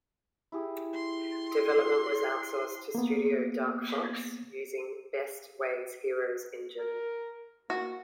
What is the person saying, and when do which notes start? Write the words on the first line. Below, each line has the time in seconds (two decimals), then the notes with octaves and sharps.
Development was outsourced to studio Dark Fox, using Best Way's Heroes engine.
0.52 E4 G4 G#4
0.94 C6
2.95 A#3 B3
6.79 A#4
7.70 A#3 F#4